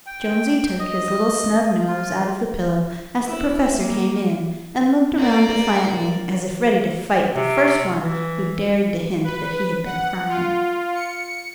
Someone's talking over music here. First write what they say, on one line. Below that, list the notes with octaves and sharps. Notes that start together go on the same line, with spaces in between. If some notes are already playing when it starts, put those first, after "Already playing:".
Jonesy took his little snub nose out of the pillow as the professor came in, and looked around defiantly as if ready to fight the first one who dared to hint that he had been crying.
G5
D#5
F4
E4
A#3
A#3 D5
C3
E3
B4
F#5
F4
C#7